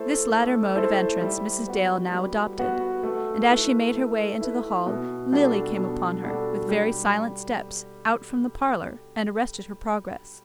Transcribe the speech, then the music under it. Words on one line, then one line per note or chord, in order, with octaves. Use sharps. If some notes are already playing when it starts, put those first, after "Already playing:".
This latter mode of entrance Mrs. Dale now adopted; and as she made her way into the hall Lily came upon her, with very silent steps, out from the parlour, and arrested her progress.
Already playing: A3 E4 A4 C5
A3
E4 A4 C5
G3
B3 F#4
G3
B3 F#4
A3
E4 B4
A3
E4 B4
B2
G3 D4 F#4 A4
B2
G3 D4 F#4 A4
G3